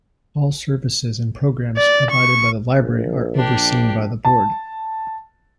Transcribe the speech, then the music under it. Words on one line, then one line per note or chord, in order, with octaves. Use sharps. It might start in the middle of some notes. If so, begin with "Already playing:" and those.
All services and programs provided by the library are overseen by the board.
D5
C#6
A#1
D4 G4
A5